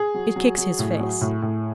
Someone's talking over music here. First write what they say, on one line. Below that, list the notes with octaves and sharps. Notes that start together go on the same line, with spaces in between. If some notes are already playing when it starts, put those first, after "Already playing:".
It kicks his face.
Already playing: G#4
F#3
F#3
F#3
A2
F#3
A2
A2